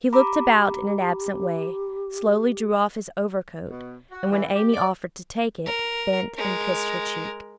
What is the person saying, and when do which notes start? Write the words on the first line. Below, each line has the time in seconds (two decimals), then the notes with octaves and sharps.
He looked about in an absent way, slowly drew off his overcoat, and when Amy offered to take it, bent and kissed her cheek.
0.13 G4 A#5 B5 D6
3.70 B2
4.11 F#4
4.31 E3
4.54 G4
4.72 D5
5.66 A#4
6.37 G#3 A#4